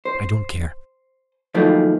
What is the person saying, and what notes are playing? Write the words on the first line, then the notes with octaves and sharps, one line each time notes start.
I don't care.
C5
D#3 F3 F#3 A3 A#3